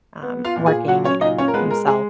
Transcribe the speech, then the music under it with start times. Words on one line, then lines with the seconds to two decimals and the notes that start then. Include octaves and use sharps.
um, working and himself.
0.23 B3
0.45 F4 F5
0.56 A#2
0.66 G#4 G#5
0.88 F#3 F#4 F#5
1.04 C#4 C#5
1.21 A#2 D#4 D#5
1.38 C#4 C#5
1.48 A#4
1.54 G#3 B3 B4
1.71 A#4
1.87 G#3 G#4